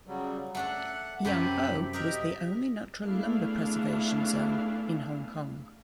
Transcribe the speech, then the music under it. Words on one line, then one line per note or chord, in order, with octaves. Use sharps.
Yam O was the only natural lumber preservation zone in Hong Kong.
C#3 F#3 G3
A3 D4 A4 F#5
F#2 C3 G4 A4 B5
G4 A#4 D#5 E5
A3 B3 D4 E4 G#4 F5